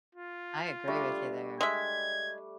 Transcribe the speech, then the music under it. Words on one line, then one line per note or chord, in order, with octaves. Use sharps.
I agree with you there.
F4
G3 A3 D4
G#3 E5 G#6